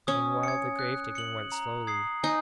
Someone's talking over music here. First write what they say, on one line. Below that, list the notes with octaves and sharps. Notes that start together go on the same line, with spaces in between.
Meanwhile the grave digging went slowly.
C#4 D#6
G#6 C#7
F#6
C#7 F#7
A#5
D#6 G#6 C7
D#4 G#5